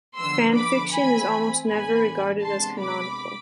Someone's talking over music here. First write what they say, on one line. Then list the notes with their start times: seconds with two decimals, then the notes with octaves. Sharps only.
Fan fiction is almost never regarded as canonical.
0.18 D3 F3 B3 D4 C6 E6
0.56 B5 D6
0.93 E3 A3 C4 G#5 B5
1.68 A2 E3 B3 D4 G#5 B5
2.43 C3 G#3 B3 D4 A5 C6
2.80 B5 D6